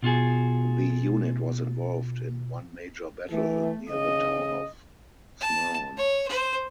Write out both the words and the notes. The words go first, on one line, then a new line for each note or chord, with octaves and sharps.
The unit was involved in one major battle, near the town of Smarhon.
B2 F4 F#4 G#4
E3 A3
C#3 D#5
A5
C#5
C5